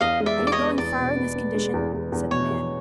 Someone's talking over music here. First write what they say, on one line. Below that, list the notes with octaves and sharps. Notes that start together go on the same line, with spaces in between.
"Are you going far in this condition?" said the man.
E2 D#5 F5
G#3
D5 E5
E2
D5
C#5 D#5
B3
E2 D5
B2
B3
B3
G#3
E2
E2
E2
B2 C#5
E2